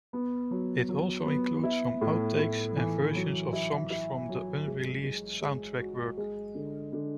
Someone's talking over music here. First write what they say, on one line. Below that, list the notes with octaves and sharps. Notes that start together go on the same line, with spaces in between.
It also includes some outtakes and versions of songs from then unreleased soundtrack work.
B3
F#3
F#3
B3
E4
A2
A2
E3
F#3
E4
E4
F#3
G#3
G#3
G#3
F#4
G#3
D3
D3